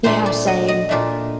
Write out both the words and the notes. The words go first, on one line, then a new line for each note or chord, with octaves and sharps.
Yeah, same.
A#2 A3 D4 C5
D5
D#5
D#5
A#2 A3 D4 D5